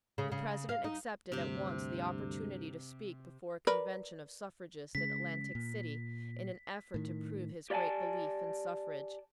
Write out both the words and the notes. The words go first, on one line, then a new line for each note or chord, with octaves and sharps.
The President accepted at once the opportunity to speak before a convention of suffragists at Atlantic City in an effort to prove his great belief in suffrage.
C#3
C#3
F5
D#4
D2 G2 C3 G4
A#4 B4 D5
C#3 G#3 B6
A#2
A2 D#3
G4 D5 E5 F#5 G#5 A5